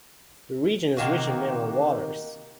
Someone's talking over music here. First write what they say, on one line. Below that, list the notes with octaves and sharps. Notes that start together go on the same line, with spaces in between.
The region is rich in mineral waters.
C3 D#3 A#3 F#4